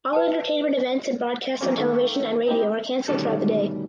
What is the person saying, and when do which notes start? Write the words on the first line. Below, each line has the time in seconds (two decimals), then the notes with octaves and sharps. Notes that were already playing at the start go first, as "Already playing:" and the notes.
All entertainment events and broadcasts on television and radio are canceled throughout the day.
0.13 B4 G5 A5
1.61 E3 F#3 A#3 C4 C#4
1.77 D#3 A3 A#3 A4
2.46 C4 D#4 E4 G4
3.08 D2 B2 D#3 G3 C#4 A4